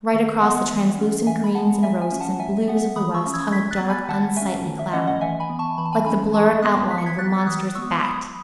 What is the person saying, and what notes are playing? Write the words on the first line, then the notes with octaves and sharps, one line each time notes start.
Right across the translucent greens and roses and blues of the west hung a dark, unsightly cloud, like the blurred outline of a monstrous bat.
D#3 E5
F#3 B3 D#5 F#5
E3
A3 C#4
E3 E5 G#5
B5
G#3 B3 F#5 A5
F#3 E5 G#5
E5 G#5
A3 C#4
F#5 A5
F#3 E5 G#5
E5
B3 F#5
E5
E3 B5 D#6
C#6 E6
A3 C#4
E6 G#6
F#3 G#6 B6
F#6 A6
B3
G#5 B5
D#3 F#5 A5
A3 C#4 E5 G#5
D#3
E5
F#3 A3 C#4 D#5 F#5
D#5 F#5
E3 E5 G#5
G#5 B5
B3
A5 C#6
E3 B5
A5
G#5 B5
G#3 C#4 G#5 B5
E3 A5 C#6
B3 D#6 F#6
F#3 B6
C#7
G#6 B6
B3 F#6 A6
E3 D#6 F#6
G#3 B3 C#6 E6
F#3 B5 D#6